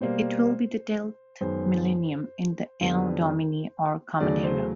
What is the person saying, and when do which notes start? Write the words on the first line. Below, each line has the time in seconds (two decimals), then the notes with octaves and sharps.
It will be the tenth millennium in the Anno Domini or Common Era.
0.01 B2 G3 A#3 C5
1.41 F#2 D#3 G#3 B3 C5
2.81 F2 D3 G3 B3
4.20 E2 C#3 F#3 A3 D5
4.44 C5